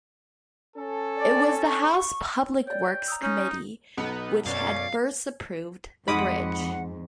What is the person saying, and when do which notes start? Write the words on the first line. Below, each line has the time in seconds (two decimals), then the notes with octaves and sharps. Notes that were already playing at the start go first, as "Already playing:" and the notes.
It was the House Public Works Committee which had first approved the bridge.
0.76 C#4 A4
1.17 D5
1.67 C#6
2.67 C#5 D5 G5
3.08 A#5 D#6 E6
3.22 C#4 D#4
3.97 B1 B3 D#4 B4 C#7
4.46 F#2 B2 C#4 D5 F5 A6
6.08 F2 G#2 G#3 F#5 B5 D6 D#6